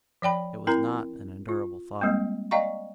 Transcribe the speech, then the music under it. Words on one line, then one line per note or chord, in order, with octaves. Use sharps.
It was not an endurable thought.
F3 D5 G5 B5
C4 E4 A#4 A#5
F4
G3 G#3 A#3 C4
D5 D#5 F5 G5 A#5 C#6